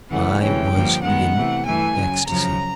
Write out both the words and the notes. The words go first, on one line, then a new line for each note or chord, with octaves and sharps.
I was in ecstacy.
C#3 E3 A3 F#5
D2 C3 E3 G#3 C#4 G5
G2 D3 F3 A#3
G2 D#3 G#3 B3 F#5
C3 E3 A3
G2 E3 A3 G#5
F#2 C#3 F#3
F#2 C#3 F3 A#5